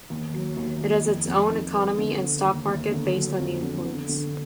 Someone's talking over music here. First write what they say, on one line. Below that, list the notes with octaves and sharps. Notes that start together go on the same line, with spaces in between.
It has its own economy and stock market based on Neopoints.
D#2
F#3
D#2
D#2
F2
F2
D#3
B3
D3
D3
D#2
D#2
D3
F#3
F2
D3
D3
D3